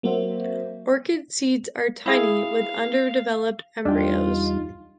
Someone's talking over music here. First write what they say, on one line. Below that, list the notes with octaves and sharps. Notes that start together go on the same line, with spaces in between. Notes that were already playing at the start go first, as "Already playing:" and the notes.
Orchid seeds are tiny with underdeveloped embryos.
F#3 A#3 C4 F#4 C5 E5
E4 G#4 F5
E2 G3 D4 D#4 F4 G5